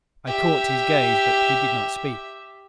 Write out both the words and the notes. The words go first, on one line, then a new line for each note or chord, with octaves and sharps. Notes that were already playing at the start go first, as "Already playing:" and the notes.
I caught his gaze but he did not speak.
G4 E5